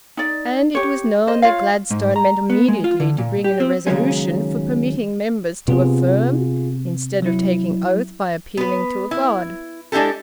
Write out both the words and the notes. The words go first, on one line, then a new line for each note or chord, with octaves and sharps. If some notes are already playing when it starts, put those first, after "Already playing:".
And it was known that Gladstone meant immediately to bring in a resolution for permitting members to affirm, instead of taking oath by appealing to a God.
D#4 D5
G4 C#5
C5 D#5
F4 C#5 F5
G#2
A#5
B3
G#3
F4
D3
A#2
G4
C4
D#2 C#3 F#3 G#3 C#4
C3 B3 F4 G#4
F#3 E4
B3 B4
E4
G#3 D4 E4 G4 A4